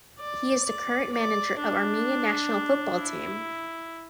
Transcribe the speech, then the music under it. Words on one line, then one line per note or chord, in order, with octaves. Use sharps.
He is the current manager of Armenia national football team.
D5
D5
D5
D4
E4